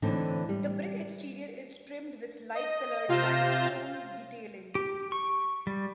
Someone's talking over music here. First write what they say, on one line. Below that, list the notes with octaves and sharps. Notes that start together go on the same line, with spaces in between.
The brick exterior is trimmed with light colored limestone detailing.
A2 D3 E3 C4 D4 D#4
G3
D#5
C3 F4 F5 G6 A#6 E7
G4
C#6
G3